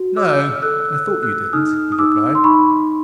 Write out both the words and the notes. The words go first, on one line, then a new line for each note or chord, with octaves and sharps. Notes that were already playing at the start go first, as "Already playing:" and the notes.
"No, I thought you didn't," he replied.
Already playing: F#4
C#5 D6 E6
F6
A4 E6 F#6
E6 F#6
A4
E6 F#6
D#4 D#6 F6
D#6
D#4 D6 E6
C6
D#4 B5 C#6